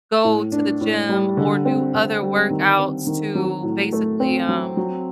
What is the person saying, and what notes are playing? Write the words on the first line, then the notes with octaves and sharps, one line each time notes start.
go to the gym or do other workouts to basically, um,
A2
D4
A2
G3
D3
C4
D3
G3
D#3
C4
D#3
F#3
A2
A3
C4
F#3
F#3